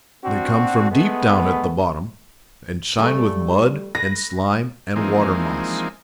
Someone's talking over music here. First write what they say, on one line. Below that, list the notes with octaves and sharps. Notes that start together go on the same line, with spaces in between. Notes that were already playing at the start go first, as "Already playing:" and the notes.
They come from deep down at the bottom, and shine with mud and slime and water-moss.
C4 D4 F#4
G#3 A3 B3
F2 G3 A3 A4 G#5
B4 A#6
E3 F3 G#3 A#3 C4 D#4